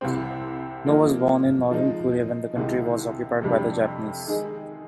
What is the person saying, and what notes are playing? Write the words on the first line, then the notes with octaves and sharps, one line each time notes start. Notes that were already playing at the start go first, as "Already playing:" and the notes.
No was born in northern Korea when the country was occupied by the Japanese.
C2 C3 G3 C4
F3 A#3 D#4
F3 G#3 D#4
C2 C3 D#3 G#3 D#4
F2 C3 G3 D4
D#3 G#3 D#4 G#4